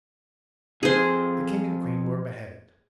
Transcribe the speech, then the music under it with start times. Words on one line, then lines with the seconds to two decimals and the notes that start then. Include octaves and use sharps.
The king and queen were beheaded.
0.83 F2 G#4 C5